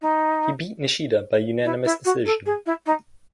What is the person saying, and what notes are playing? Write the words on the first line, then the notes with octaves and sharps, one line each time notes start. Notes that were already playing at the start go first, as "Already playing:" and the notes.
He beat Nishida by unanimous decision.
D#4
E4
E4
F#4
A4
G#4
E4
D#4